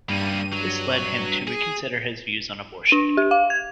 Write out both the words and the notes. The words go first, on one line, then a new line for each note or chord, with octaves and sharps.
This led him to reconsider his views on abortion.
G2 G3 A#3 D#7
F#3
G#4
D4
G4
F5
G#6